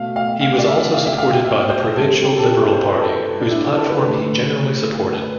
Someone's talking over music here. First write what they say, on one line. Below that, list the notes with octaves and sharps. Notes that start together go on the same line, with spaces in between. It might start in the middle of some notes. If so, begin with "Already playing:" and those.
He was also supported by the provincial Liberal Party, whose platform he generally supported.
Already playing: B2 A3 F5
F5
F5
D5
E5
F5
E5
F5
G5
E5
C5
C3 G3 A4
G4
A4
G4
E4
C5
B4
A4
D4
E4
A4
B4
D3 A3
B4